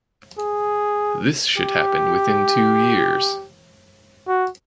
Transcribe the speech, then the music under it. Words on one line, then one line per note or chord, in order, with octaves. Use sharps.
This should happen within two years.
G#4
G4
F#4